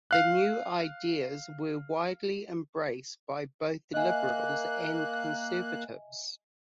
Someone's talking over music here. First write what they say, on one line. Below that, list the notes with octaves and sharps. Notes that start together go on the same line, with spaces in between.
The new ideas were widely embraced by both liberals and conservatives.
F5 F#6
A#3 D#5 E5 G#5 F#6